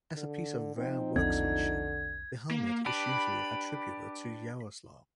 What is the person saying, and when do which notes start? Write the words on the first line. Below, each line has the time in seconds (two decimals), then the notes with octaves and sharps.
As a piece of rare workmanship, the helmet is usually attributed to Yaroslav.
0.17 D3
0.76 F3 C4 D#4
1.16 A#1 E2 D3 C4 G#6
2.51 A#3
2.86 D4 G4 B4 B5